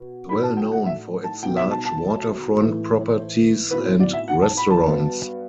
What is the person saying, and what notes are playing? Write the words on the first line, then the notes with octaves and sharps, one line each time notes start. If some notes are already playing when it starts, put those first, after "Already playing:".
It's well known for its large waterfront properties and restaurants.
Already playing: B2
A2 F#3 A3 D4 B5
A5
G5
F#5
E5
A5
B1 B2 G3 G5
E5
A5
A5
A2 E3 A3
C5
B1 A2 F#3 C4 E4 B4
C5
D5
E5
F#5
A5
B5
A5
G2 F#3 B3